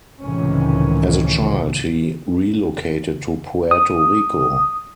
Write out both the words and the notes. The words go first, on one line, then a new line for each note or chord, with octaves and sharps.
As a child, he relocated to Puerto Rico.
C#2 A2 C3 D#3 E3 C#4
D#6